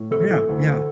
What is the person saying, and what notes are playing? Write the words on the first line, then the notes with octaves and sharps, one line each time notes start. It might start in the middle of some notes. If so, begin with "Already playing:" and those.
Yeah, yeah.
Already playing: A2
C3 A4
E3
D2
A3